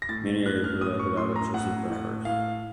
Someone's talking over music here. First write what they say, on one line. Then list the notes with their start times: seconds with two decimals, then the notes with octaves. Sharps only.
Many areas were left without electricity for hours.
0.02 A#6
0.09 A2 A6
0.46 A2 F#6
0.64 F6
0.81 A2 D#6
0.99 C#6
1.17 A2 C6
1.36 A#5
1.54 A2 F#5
1.90 A2
2.25 A2 F5